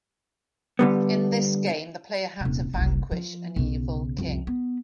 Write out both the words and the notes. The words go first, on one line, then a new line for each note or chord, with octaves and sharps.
In this game the player had to vanquish an evil king.
D3 G3 B3
D#1 C3
F#1 C2
F3
B1 C#3
C2 F2
B3